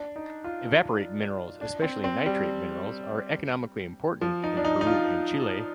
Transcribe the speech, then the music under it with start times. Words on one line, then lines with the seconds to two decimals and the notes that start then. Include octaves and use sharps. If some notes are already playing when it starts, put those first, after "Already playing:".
Evaporite minerals, especially nitrate minerals, are economically important in Peru and Chile.
Already playing: D4
0.16 D#4
0.44 F4
1.61 D4
1.82 C4
2.04 C4
2.26 G3
4.21 F3
4.44 D#4
4.57 D4
4.65 D#4
4.81 D#4
4.87 F4